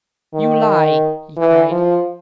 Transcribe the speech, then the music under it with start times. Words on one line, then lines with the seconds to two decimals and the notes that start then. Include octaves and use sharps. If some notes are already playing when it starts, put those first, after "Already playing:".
"You lie!" he cried.
0.34 D#3
1.37 E3
1.71 F3